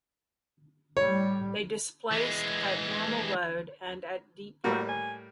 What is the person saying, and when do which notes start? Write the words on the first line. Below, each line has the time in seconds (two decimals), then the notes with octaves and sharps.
They displaced at normal load and at deep load.
0.97 A2 G3 C#5
2.12 E3 G#3
4.64 A2 G3 A#3 F#4
4.89 G#5